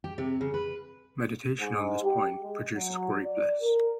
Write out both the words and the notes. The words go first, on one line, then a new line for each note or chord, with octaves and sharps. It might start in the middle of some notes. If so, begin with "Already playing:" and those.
Meditation on this point produces great bliss.
G4
C3
C#3
B4
G#2
G4
G#3
F#3
D5
A#4